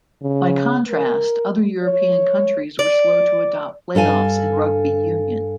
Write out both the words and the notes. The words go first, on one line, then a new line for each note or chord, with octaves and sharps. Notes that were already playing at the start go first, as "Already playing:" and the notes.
By contrast, other European countries were slow to adopt playoffs in rugby union.
C#3
A#4
C#5
D5
G2 A4 F5 G#5